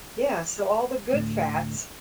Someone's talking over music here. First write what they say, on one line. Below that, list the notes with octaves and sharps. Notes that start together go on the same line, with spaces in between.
Yeah. So, all the good fats
D2 A2 A3